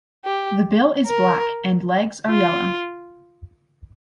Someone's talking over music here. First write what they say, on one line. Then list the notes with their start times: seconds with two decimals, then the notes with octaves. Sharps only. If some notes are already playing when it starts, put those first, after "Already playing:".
The bill is black and legs are yellow.
0.24 G4
1.06 A#4
2.28 F4